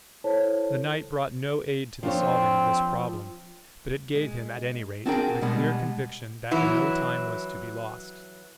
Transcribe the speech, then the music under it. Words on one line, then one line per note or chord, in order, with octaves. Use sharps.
The night brought no aid to the solving of this problem; but it gave him, at any rate, the clear conviction that no time was to be lost.
E4 A4 C5 C#5 A5
F3 C4 D4 C#5
G#3
C4 D4 F#4 G#4 A#4 G5
B2 G3 G#3 B3
E3 F#3 E4